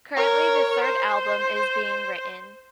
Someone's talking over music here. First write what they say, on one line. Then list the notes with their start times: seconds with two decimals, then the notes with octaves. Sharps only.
Currently the third album is being written.
0.16 A#4 C#5
0.83 C5